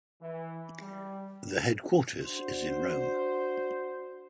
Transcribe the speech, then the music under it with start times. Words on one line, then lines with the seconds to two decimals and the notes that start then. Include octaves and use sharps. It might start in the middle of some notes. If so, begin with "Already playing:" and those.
The headquarters is in Rome.
0.22 E3
0.82 G3
2.22 D4 F#4 C5